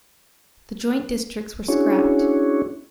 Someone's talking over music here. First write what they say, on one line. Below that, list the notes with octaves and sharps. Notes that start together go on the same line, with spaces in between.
The joint districts were scrapped.
C#4 D4 E4 F#4 G#4 C#5